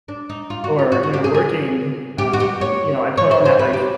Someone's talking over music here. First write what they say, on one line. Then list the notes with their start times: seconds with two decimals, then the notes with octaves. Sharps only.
or, you know, working, um, you know, I put on that, like,
0.08 D4
0.29 D#4
0.50 F4
0.64 F#4
0.79 F4
0.92 F#4
1.03 F#4
1.13 G4
1.24 G#4
1.34 G#4
2.18 G4
2.33 F#4
2.40 G4
2.61 C#5
3.17 C#5
3.31 C5
3.45 C5
3.59 B4
3.73 G4